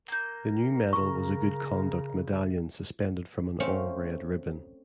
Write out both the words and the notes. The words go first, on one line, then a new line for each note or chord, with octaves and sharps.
The new medal was a Good Conduct medallion suspended from an all red ribbon.
A#3 A#4 G6
C#3 C#6
A3 C4 C#4 C#5 F5